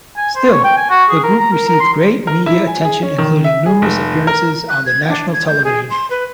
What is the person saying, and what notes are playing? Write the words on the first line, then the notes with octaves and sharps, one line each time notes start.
Still, the group received great media attention including numerous appearances on the national television.
G#5
C5
C#5
G5
G#5
F#4
G#4
A#4
A#5
A#4
A#4
C6
A#4
E4
G#5
G#4
C#4
D#3
E5
G#4
F1
A#4
F#6
G#6
D4
G#6
G6
G#4
C6
B4